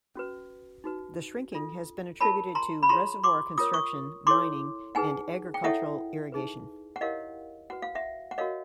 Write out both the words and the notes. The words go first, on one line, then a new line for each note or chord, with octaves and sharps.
The shrinking has been attributed to reservoir construction, mining, and agricultural irrigation.
C#4 F#4 B4
D#4 F#4 B4
D4 F4 A4
F4 A#4 C#5 A5 B5
A#5 C6
B5
F4 G#4 C#5 A#5 C6
C6 D6
F4 A#4 C#5 D#6
C#6 D#6
E4 A4 C#5 C6 D6
D#4 G#4 B4 F#5 G#5
G5
E4 A4 C#5 E5 F#5
D#4 G#4 B4
F#5
E4 G4 A#4 C#5 D#5 F5
F#4 B4 F#5
F5
E5 F#5
F#5
F#4 A#4 C#5 D#5 F5